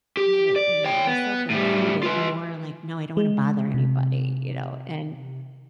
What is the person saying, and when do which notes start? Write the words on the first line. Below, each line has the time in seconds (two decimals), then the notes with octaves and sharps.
uh, I I wouldn't myself included, more like, "No, I don't wanna bother anybody," you know, and
0.17 G4
0.56 D5
0.85 C#5 G5
1.07 B3
1.50 A2 G3
2.03 F4 B4
3.17 G#3
3.74 C3